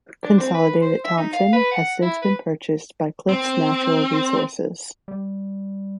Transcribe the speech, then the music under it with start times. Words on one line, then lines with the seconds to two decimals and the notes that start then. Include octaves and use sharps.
Consolidated Thompson has since been purchased by Cliffs Natural Resources.
0.24 D4
0.38 C4
0.54 B4
0.82 C5
1.05 E5
1.17 D#4
1.33 F5
1.53 B4
1.71 F#5
2.02 E4
2.22 B4
3.29 C4
5.08 G3